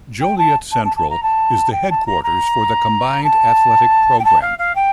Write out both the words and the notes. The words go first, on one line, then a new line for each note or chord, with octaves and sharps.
Joliet Central is the headquarters for the combined athletic program.
G5
A5
A5
A5
A5
A#5
A5
G5
A5
A#5
A#5
A5
G5
A5
F5
F5
G5